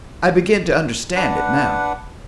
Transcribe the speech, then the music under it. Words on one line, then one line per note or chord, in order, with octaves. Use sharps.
"I begin to understand it now."
D4 B4 F#5